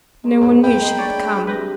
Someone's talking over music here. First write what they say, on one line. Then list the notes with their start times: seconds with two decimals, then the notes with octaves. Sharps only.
No one knew she had come.
0.24 G#3 A#4 C#5
0.40 D#2 G#2 F#3
0.63 F2 A2 E5 G5 A#5 B5
0.82 D#4 C6
0.98 G#3 D4 C#5 D5 A6
1.47 C3 G3 C4 B4 G6 A#6